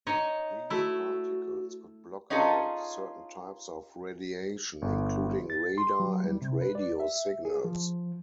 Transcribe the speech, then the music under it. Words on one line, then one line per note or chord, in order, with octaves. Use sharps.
These particles could block out certain types of radiation, including radar and radio signals.
D#4 C#5 D#5
A3 E4 F#4
C#4 D#4 F4 G#4 A4
G1
A6
C6
F#3
G3
C3
B4
D5
E5
G#4
F3